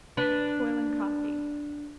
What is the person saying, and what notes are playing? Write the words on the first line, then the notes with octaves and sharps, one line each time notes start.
Boiling Coffee.
D4 B4